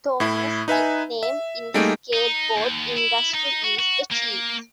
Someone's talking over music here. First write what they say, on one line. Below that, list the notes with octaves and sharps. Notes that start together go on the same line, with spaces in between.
Thomas' nickname in the skateboard industry is The Chief.
A2 E4
D#4 B4 E5 G#5
E5
G3 A3 A#3 D#4 G#4 D7
D#4
D#2
E4
D#4
F#4
F#4
A#3